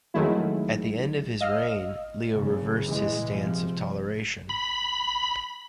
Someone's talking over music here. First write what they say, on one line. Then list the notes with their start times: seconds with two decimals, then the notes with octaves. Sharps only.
At the end of his reign, Leo reversed his stance of toleration.
0.14 F2 D#3 F#3 G#3 A3 E4
1.41 D#5 F5 E6 F6
2.33 F#1 C#3
2.87 A#2 C#3 E3 G#3
3.32 C3 F3
4.49 B5